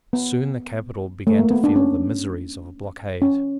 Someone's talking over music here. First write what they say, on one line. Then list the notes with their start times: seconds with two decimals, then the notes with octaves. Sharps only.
Soon the capital began to feel the miseries of a blockade.
0.13 B3
1.27 A3
1.39 A#3
1.51 B3
1.64 D4
1.76 C#4
3.22 C#4